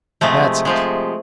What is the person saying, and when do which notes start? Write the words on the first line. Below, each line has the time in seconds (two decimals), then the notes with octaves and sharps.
'That's it!
0.21 C3 F3 G#3 A3
0.65 C3 F3 G#3